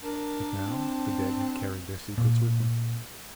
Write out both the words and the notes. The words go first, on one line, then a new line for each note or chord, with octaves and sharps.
But now the dead had carried their secrets with them.
D4 A#4
C4
A#2